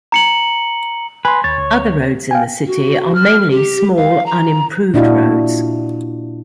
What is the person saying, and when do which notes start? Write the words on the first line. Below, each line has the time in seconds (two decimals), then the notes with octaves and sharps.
Other roads in the city are mainly small unimproved roads.
0.12 A#5 C#7 F#7
1.25 B4 G#5 C6
1.44 D#2 C#5 A6
1.58 D2
2.31 F5 G5 G#5
2.67 F#4
3.15 F6
3.51 G4
3.97 F5
4.26 A#5
4.94 A#2 D4 E4 F#4 D#5 F5